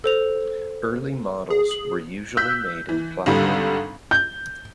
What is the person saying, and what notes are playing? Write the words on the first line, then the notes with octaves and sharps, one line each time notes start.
Early models were usually made in plywood.
A4 C5 F7
G#4
F#7
E6 F#6 G6 B6
E3
G#1 D3 G3
G6